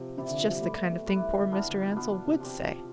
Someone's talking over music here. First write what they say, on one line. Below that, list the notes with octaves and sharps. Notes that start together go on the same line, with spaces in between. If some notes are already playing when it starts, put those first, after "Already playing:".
It's just the kind of thing poor Mr. Ansell would say.
Already playing: C3 F3
C3 E4 G4 D5
D3
F3
G3
A3 E4 B4 D5
B3
A3
G3 E4 B4 D5
E3
D3
E3 B3 D4 F4
D3
B2
B2 B3 D4 F4
B2
C3
F3 C4 G4 D5